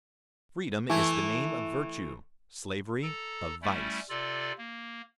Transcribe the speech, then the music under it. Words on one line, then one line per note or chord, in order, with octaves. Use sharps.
Freedom is the name of virtue: Slavery, of vice. . . .
E3 A3 E4
A4 A#5
G3 A3 C#4 E4
C3 F4 A4 D5
A#3